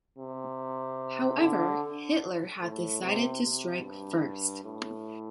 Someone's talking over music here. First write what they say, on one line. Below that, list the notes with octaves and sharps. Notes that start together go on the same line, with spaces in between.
However, Hitler had decided to strike first.
C3
D3
A2
C3
C3
G2
A2